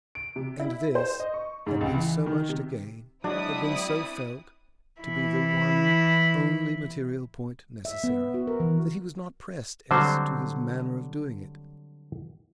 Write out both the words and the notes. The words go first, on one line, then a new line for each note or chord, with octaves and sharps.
And this had been so much to gain, had been so felt to be the one only material point necessary, that he was not pressed as to his manner of doing it.
D7
C3
E4
C5
D#5
C#6
G#2
C#2
E3
D#3
C3
F#3 G#3 C4 D4 E4 F#4 D#6
E3 E4
E5
B3
F#4
A#4
E3
D3 F#3 G3 C4 C5